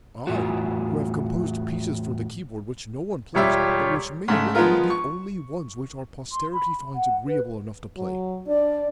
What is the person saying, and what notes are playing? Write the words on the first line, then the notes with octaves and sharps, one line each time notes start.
I, who have composed pieces for the keyboard which no one plays but which may well be the only ones which our posterity finds agreeable enough to play.
E2 A2 F4 F#4
E1 G3 F4 G4 C#5 E5
G#2 C#3 A3
F3 G#3 B3 F4 A#4
C#6
C6
B5
F#5
B4
F#3
D4 D5